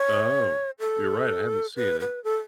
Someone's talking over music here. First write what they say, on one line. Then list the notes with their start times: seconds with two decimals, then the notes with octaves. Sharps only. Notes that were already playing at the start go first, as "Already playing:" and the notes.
Oh, you're right, I haven't seen it.
Already playing: C#5
0.80 A4
1.76 B4
2.00 B4
2.24 A4